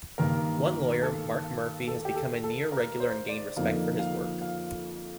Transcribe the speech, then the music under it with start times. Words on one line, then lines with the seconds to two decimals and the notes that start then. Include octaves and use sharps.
One, lawyer Marc Murphy, has become a near-regular and gained respect for his work.
0.18 G2 D#3 A#3 A#4
1.02 A4
1.88 A4
2.05 G4
2.15 A4
2.44 A4
2.72 A#4
3.00 C5
3.29 D5
3.56 F2 D3 F3 A#3 D#4 F5
3.99 F5
4.41 F5